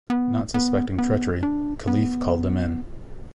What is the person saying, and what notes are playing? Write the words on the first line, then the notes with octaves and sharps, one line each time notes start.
Not suspecting treachery, Caliph called them in.
B3
B3
B3
D4
B3